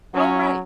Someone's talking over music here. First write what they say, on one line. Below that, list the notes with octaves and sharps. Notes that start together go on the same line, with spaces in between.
Oh, right.
F#3 C#4